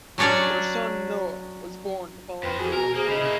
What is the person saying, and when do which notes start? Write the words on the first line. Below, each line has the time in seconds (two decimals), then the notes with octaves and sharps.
Their son Noah was born the following year.
0.18 F#3 C#4 D4 C#5 D5
2.43 F2 C4 B4 C5
2.59 F3 F#4 G#4 A4
2.73 B2 A#4 G#5
2.95 A#3 G#4 C5
3.08 C#3 E4 G#4 D#5 B5
3.21 C#3 A#3